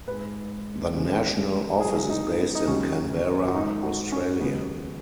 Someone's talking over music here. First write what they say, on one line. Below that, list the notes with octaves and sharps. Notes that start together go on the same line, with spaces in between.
The national office is based in Canberra, Australia.
G#2 G#3 B4
D#2 C#3 G#3
G#2 F#3 G#4
D#4
B3
D#4
D#2 C#3 F#3 C#4
F#4
G#2 G#3 D#4
F#4
C#4
D#2 C#3 F#3 B3